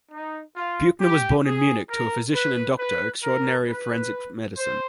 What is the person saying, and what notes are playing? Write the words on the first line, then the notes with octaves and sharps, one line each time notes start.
Buchner was born in Munich to a physician and Doctor Extraordinary of Forensic Medicine.
D#4
F4
G4
G#4
A#4
B4
B4
A#4
B4
C5